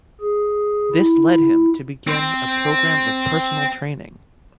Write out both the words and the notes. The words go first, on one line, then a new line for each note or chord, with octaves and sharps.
This led him to begin a program of personal training.
G#4
E4
C4 C5